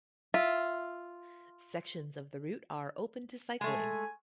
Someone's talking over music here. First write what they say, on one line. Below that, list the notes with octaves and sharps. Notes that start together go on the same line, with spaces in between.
Sections of the route are open to cycling.
F4 E5
G#3 A3 G#5